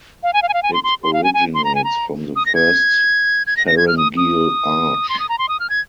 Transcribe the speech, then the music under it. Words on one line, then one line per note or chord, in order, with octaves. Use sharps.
It originates from the first pharyngeal arch.
F5
G#5
F5
G#5
F5
G#5
C6
C6
C6
F5
G#5
G#5
C6
A#5
G#5
A#5
D#6
A#6
G#6
G#6
A#6
A#6
G#6
F6
D#6
D#6
C6
D#6
A#5
C6
D#6
F6
G#6